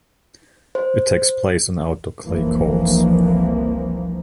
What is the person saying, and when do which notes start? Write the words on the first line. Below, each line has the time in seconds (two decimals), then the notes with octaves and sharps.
It takes place on outdoor clay courts.
0.75 C5
2.24 F1 C2 E3 F3 A#3